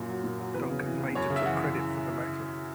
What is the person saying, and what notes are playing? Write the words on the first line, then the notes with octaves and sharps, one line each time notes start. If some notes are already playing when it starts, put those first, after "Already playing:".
Duncan later took credit for the letter.
Already playing: F#2 A#2
F#3
A#2
F#3
E2 B4
C#3
E3
E2
F#2 C#5
C#3
E5
E3 F#5